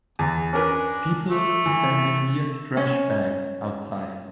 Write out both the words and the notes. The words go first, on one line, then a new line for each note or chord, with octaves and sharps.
People standing near trash bags outside.
E2
C#4 D4 A#4 B4
A3
E3
C#4